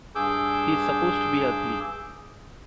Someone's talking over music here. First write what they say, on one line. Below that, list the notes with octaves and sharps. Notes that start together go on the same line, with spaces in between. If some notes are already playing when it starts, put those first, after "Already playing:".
He's supposed to be ugly.
G2 G#4 D6 E6 G6